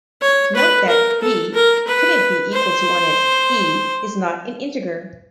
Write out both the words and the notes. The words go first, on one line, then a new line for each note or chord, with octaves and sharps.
Note that "b" couldn't be equal to one as "e" is not an integer.
C#5
B4
A#4
A4
A#4
B4
C5